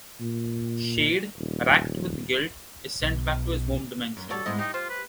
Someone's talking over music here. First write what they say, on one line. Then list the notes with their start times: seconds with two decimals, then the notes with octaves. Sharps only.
Shade, wracked with guilt, is sent back to his home dimension.
0.20 A#2
1.38 D#1
3.02 B1
4.17 F#2
4.30 G3 D4 F#4 A4 C#5 D5
4.46 G#2 G#3 B3 E4 C5 D#5
4.59 D#4 G4
4.74 F4 C5
4.90 B4